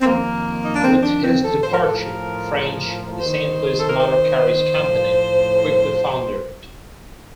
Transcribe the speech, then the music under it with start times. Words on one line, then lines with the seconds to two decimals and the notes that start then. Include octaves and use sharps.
With his departure, French and the "Saint Louis Motor Carriage Company" quickly foundered.
0.01 C4
0.06 F2 D#3 A#3
0.64 D#4
0.74 D4
0.84 C4
0.97 C4
1.03 D4
1.24 C4
1.43 A4
1.62 A2 F3 C5
1.73 A#4
1.84 A4
1.94 A#4
3.19 D#2 D#3 C5
3.79 A4
3.87 A#4
3.98 C5
4.75 A2 F3